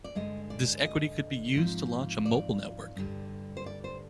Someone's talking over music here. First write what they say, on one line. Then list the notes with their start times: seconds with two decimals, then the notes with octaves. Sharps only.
This equity could be used to launch a mobile network.
0.04 D5
0.15 G2 D3 G#3 D#5
0.50 D5
0.85 D#5
1.55 G#2 F3 C4
2.26 D5
2.96 G2 D3 G3
3.57 C5
3.66 D5
3.84 C5